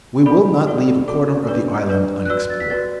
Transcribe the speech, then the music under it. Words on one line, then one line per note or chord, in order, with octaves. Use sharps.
We will not leave a corner of the island unexplored.
D4 A4 D5 B5
F#4 A4 D5
F#4 A4 D5 D6
D4 B4 D5
D4 B4 D5
F#6
F#4 B4 D5 E6
F#6
A6
B6
F#4 B4 D5 A6